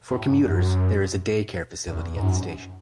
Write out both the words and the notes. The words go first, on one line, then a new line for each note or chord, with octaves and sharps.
For commuters, there is a day care facility at the station.
A2
G#2
F#2
E2
G#2
F#2